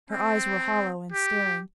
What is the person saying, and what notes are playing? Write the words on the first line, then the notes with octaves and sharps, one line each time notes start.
Her eyes were hollow and staring.
C4
G4